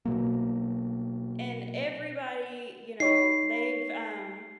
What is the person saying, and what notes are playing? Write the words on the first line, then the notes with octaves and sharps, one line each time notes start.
and everybody, you know, they've, um,
B2 F#3 A#3
D#4 C#5 B5 C7